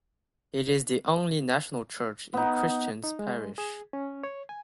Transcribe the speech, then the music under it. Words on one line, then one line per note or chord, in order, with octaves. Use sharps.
It is the only national church in Christians Parish.
B3 D#4
D#4
G#3
G#4
C#4
C#5
G#5